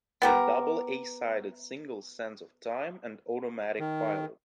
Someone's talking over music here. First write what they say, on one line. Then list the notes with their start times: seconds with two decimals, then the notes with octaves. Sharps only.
The double A-sided single "Sands Of Time" and "Automatic Pilot".
0.22 B3 G4 A#4
3.79 D#3